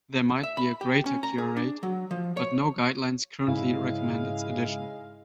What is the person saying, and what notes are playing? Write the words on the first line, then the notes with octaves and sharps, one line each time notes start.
There might be a greater cure rate but no guidelines currently recommend its addition.
E5
B5
G4
C#4
A#5
G#4
D4
F#3
F3
C#5
G#2 C#3 G#3 E4 F5